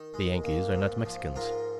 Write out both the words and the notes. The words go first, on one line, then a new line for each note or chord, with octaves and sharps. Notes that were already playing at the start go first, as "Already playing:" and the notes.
The Yankees are not Mexicans.
Already playing: D#3
G#3
A#3
G#2
F3
G#2 F4 A#4